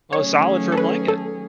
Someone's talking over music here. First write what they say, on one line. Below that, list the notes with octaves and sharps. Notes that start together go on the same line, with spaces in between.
Oh, solid for a blanket.
D#3 F#3 A3 C#4 G#4 C#5
A4
B4
A4